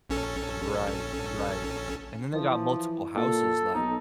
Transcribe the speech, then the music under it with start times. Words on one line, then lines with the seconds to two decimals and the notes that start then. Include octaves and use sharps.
Right. Right. And then they got multiple houses, like
0.10 A#1 C#4 A4
2.34 E3 F3
3.16 A#2 A4
3.75 B1 D#4